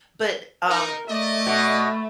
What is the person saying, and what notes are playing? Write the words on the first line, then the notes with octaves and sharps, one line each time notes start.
but, um,
D#4 A#4
A3 D5 D#5
B2